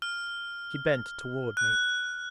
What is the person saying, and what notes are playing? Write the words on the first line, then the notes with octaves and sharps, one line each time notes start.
She bent toward me.
F6
F#6